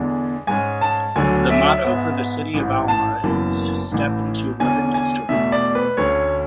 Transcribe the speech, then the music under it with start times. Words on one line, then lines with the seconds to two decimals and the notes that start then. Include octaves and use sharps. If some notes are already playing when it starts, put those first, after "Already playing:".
The motto for the city of Alma is: Step into Living History.
Already playing: E2 D3 G#3
0.47 G#2 G#3 C#4 G#5
0.81 A5
1.16 D2 D3 F#3 G#5
1.50 E5
1.84 G#2 G#3 B3
2.54 A1 G#2 E3
2.88 A5
3.23 F#1 F#2 E3 B3
3.92 A1 A2 E3
4.60 E2 D3 G#3 C#4 G#5
4.94 G#5
5.29 E2 B2 A3 E5
5.52 D5
5.75 B4
5.97 D2 D3 A3 C#4 C#5